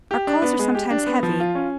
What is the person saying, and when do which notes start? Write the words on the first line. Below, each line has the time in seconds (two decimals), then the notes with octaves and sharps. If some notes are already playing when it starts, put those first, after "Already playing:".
Our calls are sometimes heavy.
0.11 G4
0.27 D4
0.42 B3
0.59 G#3
0.75 G4
0.91 D4
1.07 B3
1.23 F3
1.40 F4
1.55 C#4